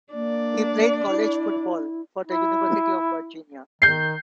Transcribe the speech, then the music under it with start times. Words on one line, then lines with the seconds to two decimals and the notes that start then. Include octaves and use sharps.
He played college football for the University of Virginia.
0.14 A#3 D4 D5
1.09 E4
2.27 E4
3.82 D#3 G6 C7